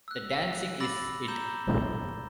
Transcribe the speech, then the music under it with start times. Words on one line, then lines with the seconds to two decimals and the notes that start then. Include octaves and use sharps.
The dancing is it.
0.08 E6 F#6
0.80 B5 D6 E6 A6 A#6 F#7
1.28 A#5 B5 G6 E7 G7